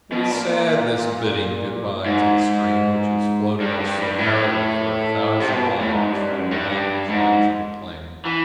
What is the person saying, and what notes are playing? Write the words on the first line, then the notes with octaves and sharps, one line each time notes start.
It is sad, this bidding good-bye to the stream which has floated us so merrily for a thousand miles, from the mountains down to the plain.
B2
A#2
G#2
G2
G2
G2
A2
C3
B2
A#2
A2
G#2
G2
F#2
G2
G2
G#2
E3